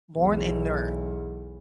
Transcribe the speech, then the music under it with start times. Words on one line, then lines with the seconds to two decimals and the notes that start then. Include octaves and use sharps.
Born in Nr.
0.18 B1 E2